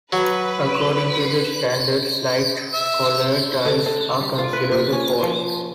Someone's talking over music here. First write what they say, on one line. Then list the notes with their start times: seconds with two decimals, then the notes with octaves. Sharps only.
According to the standards, light-colored eyes are considered a fault.
0.12 F#3 B4
2.73 E5
3.65 D3
3.86 D3
4.21 G3
4.38 F4
4.53 B4
4.71 A#2
4.92 C#4
5.23 F3